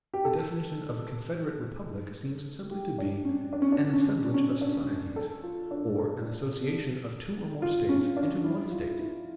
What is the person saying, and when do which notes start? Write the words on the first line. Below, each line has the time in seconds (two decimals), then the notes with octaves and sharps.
The definition of a CONFEDERATE REPUBLIC seems simply to be "an assemblage of societies," or an association of two or more states into one state.
0.14 G4
0.25 A4
2.71 G4
2.98 D4
3.25 C#4
3.53 D4
3.62 C#4
3.72 D4
3.93 C#4
4.34 C#4
4.61 D4
5.16 A4
5.43 F4
5.71 D4
5.98 A4
7.62 F4
7.89 C#4
8.17 D4
8.44 E4
8.71 F4
8.99 E4